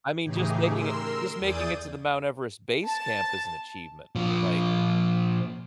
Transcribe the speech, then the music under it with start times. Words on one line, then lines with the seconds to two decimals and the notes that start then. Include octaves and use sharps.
I mean, just making it, just making it to the Mount Everest base camp is an achievement, like,
0.24 A2 C#3 E3 D#4 G4 G#4
0.73 A#4 C6 E6
1.39 E2 G#4 D5 D#6 G6 A6
2.87 A5
4.15 A#2 F3